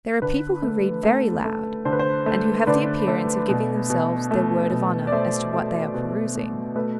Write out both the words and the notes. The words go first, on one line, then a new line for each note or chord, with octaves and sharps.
There are people who read very loud, and who have the appearance of giving themselves their word of honor as to what they are perusing.
D3 B4
A3
A3
A3
D3 C5
B4
C5
A3
D3 B4 D5
A3
B2
B2
A3
B2
D5
A3 C5 E5
A3
B2
A3
A3 B4